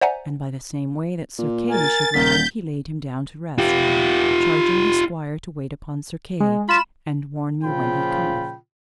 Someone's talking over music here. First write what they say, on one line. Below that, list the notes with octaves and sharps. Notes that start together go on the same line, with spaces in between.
And by the same way that Sir Kay should ride he laid him down to rest, charging his squire to wait upon Sir Kay; And warn me when he cometh.
C5 D5 E5 F#5 G#5 A#5
A#2
A#4 G#5 A6
D#1 A#4 G6 B6
F4 G4
G#3
F4 B5 E7
A#2 C#3 F3 F4 G5 B5